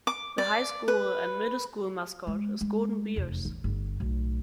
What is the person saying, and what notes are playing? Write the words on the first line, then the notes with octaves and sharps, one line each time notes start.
The high school and middle school's mascot is Golden Bears.
D6
D5
B4
G#3
G#3
F1 E2
A#1 E2
G1
B1 A2